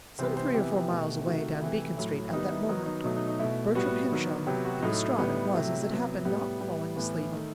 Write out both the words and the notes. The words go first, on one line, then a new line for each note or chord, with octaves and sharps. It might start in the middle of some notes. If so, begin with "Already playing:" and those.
Some three or four miles away down Beacon Street at that moment Bertram Henshaw, in the Strata, was, as it happened, not falling asleep.
C3 E3 G3 B3 C5
C5
C3 E3 B3 G4
B2 A3
C3 D#3 A3 F#4
C3 E3 A3 E4
A2 F#3 A3
D#3 G3 B3 D#4
E4
D#3 F#3 B3 D#4
D#4
B2 F#3 A3 D#4
D#4
D#4
B2 A3 E4
A2 G3 B3 F#4
D#3 F#3 B3
C3 F#3 B3 G4
F#4
A2 F#3 A3 D#4
A2 G3 B3
C3 F#3 A3 E4
C3 F#3 B3
A2 G3 B3 G4
A2 G3 B3
A2 E3 B3
D#3 A3